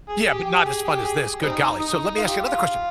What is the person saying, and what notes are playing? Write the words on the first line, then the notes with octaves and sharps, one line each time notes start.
yeah, but not as fun as this. Good golly. So let me ask you another question.
G#4
G4
G4
G#4
G4
G#4
G3 C4 D#4
D#4
F4
G4
F4